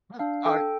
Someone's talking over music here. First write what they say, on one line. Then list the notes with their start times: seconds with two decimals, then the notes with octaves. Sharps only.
Well, I
0.19 D4 F5
0.46 A4 G5